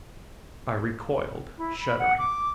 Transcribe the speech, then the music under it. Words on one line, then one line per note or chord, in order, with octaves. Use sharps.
I recoiled shuddering.
E4
B5
F#5
D6